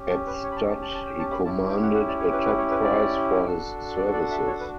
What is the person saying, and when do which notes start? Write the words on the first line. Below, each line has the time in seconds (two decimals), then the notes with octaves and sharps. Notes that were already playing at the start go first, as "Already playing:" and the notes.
At stud, he commanded a top price for his services.
Already playing: C#4 G4
0.10 A5
0.27 B4
0.43 C#5
0.52 B5
0.56 A5
0.69 A5
0.82 A5
0.94 A5
1.06 G5
1.19 A5
1.32 B5
1.44 C#4 E4 G4 A5
1.69 G5
1.82 F#5
1.94 F#5
2.08 D5
2.20 C#5
2.32 B4
2.46 B4
2.58 C#5
2.71 B4
2.83 D5
3.47 D4 F#4 A4
3.97 D5
4.13 D5
4.31 E5
4.47 C#5
4.60 B4